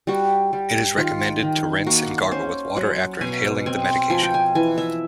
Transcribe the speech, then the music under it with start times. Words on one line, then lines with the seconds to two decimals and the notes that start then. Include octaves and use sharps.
It is recommended to rinse and gargle with water after inhaling the medication.
0.07 G3 F#4
0.53 G3
0.97 D#3 F4
1.42 D#3
1.86 A#3 F#4
2.31 C#4 C5
2.76 F#3 F#5
3.21 B2 G#5
3.66 C4 G#5
4.10 F3 G#5
4.23 G5
4.34 G#5
4.55 E3 G#5
4.78 E5